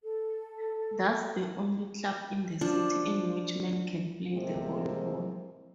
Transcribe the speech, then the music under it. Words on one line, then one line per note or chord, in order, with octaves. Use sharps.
That's the only club in the city, in which men can play the volleyball.
A4
F3 D4
A2 C3 G#3 A#3 C4